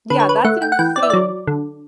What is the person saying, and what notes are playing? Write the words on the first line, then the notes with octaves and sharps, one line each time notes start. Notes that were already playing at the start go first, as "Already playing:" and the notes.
Yeah. That's insane.
D3 B4
C#5
B4
A3 F#5
G5
F#5
E3 G5
D5
E5
F#3 D5
D3